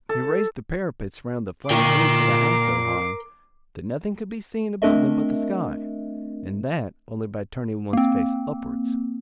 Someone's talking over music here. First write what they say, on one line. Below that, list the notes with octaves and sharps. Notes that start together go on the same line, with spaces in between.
He raised the parapets round the flat roof of the house so high, that nothing could be seen above them but the sky, and that only by turning one's face upwards.
A4
A#2 A#4 G5 D6 C7
A3 C4 D4 A#4 D#5 E5
A#3 C4